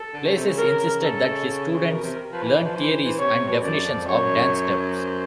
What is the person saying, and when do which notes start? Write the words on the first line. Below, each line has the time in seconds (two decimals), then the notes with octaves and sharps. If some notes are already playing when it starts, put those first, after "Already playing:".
Blasis insisted that his students learn theories and definitions of dance steps.
Already playing: A4
0.14 D3
0.25 C#3
0.36 C3
0.47 C#3
0.58 A#4
1.02 A4
1.88 A#4
1.94 B2
2.03 C3
2.32 F3 B4
2.42 E3
2.54 E3
2.64 F3
2.75 E3 C5
2.90 E3
3.04 E3
3.19 C3 C#5
3.34 C3
3.48 B2
3.62 F#2 D5
3.85 F2
4.06 F#2 C#5
4.93 C5